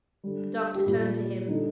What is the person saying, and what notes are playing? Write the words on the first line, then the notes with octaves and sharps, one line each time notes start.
The Doctor turned to him.
D3 G3
G4
A#2 G3 F4
D3 G3 D#4